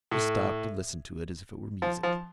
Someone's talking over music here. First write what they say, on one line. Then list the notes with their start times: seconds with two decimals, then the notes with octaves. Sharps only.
She stopped, and listened to it as if it were music.
0.11 A2
1.82 F3
2.03 F3